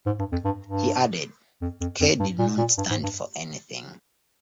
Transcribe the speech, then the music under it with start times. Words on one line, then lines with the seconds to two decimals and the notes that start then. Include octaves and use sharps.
The added "K" did not stand for anything.
0.06 G#2
0.19 G2
0.32 F2
0.44 G2
0.64 G2
1.61 F2
1.81 F2
2.00 F2
2.19 G2
2.39 A#2
2.58 A#2
2.77 G2
2.90 G#2
3.03 G2